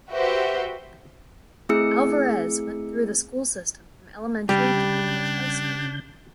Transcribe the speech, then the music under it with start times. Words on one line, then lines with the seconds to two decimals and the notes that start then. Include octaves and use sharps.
Alvarez went through the school system from elementary to Greenwich High School.
0.11 F#4 G4 B4 C5 E5
1.69 A3 C4 E4 G#4 E6 C#7
4.49 C#3 G3 D4 G4 G6